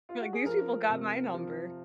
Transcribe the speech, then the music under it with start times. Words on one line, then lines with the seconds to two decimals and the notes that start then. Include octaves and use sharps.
You were like, "These people got my number."
0.09 F4
0.21 F#4
0.33 G#4
0.45 F3 A#4
0.89 C3
1.34 F3